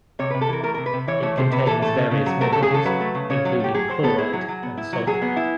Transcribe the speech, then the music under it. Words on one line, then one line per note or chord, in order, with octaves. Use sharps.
It contains various minerals including chloride and sulphur.
C3 C#5
C3 B4
A4
E3 A#4
A3 A#4
C3 A#4
B4
C3
E3 C#5
A3 C#5
C3 C5
C3 B4
E3 A4
A3 A4
C#3
C#3
F#3
A3 A#4
C#3 A4
G#4
C#3 A4
F#3 B4
A3
C#3
C#3 C#5
F#3
A3 G4
F#3 G#4
F#3 C5
B3 A4
E4 G#4
F#3
F#3
B3
E4
F#3
F#3 G#4
B3
E4